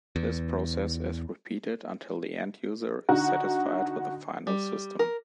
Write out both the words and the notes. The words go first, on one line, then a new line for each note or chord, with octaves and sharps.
This process is repeated until the end-user is satisfied with the final system.
E2
D3 D#4 F#4
G3
A#4